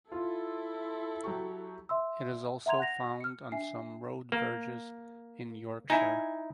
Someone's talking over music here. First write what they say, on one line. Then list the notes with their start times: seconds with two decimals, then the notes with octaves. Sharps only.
It is also found on some road verges in Yorkshire.
0.12 E4 F4 A4
1.24 F#3 G4 C#6
1.89 E5 C6 E6
2.66 E5 F#5 A#5 C6 G#6 F7
2.79 F#5 F#6 G#6 A#6 F7
3.20 F6 C#7
3.52 D4 E5 G#5 C7
4.32 A#3
5.90 D#4 E4 G#5